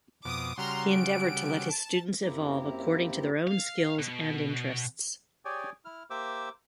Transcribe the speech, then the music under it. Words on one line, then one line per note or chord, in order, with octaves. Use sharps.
He endeavored to let his students evolve according to their own skills and interests.
F2 B2 D6 D#6
C#3 G3 F#4 A#5 C6 F6
D7
A5
F#2 A#3 C4 E4 G4 A#5
F5
B2
G4 G#4 C#5 D5 G5 G#5
E4 F6
A#3 G4 C5 E5 D6 E6